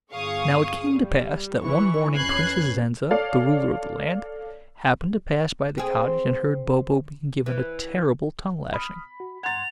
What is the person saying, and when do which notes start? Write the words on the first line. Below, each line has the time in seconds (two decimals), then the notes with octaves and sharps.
Now it came to pass that one morning Princess Zenza, the ruler of the land, happened to pass by the cottage and heard Bobo being given a terrible tongue-lashing.
0.13 G1 G#4 F5 C#6 D#6
0.94 G3
1.61 E3 C#6
2.16 F2 C#4 B4 F#6 G#6 C7
3.11 A4 C#5 D5 F5
5.78 C4 G#4
7.46 E3
8.74 B5 D#6 F6
9.20 F#4
9.43 G2 F#5 A#5 C6 G#6 A6 F7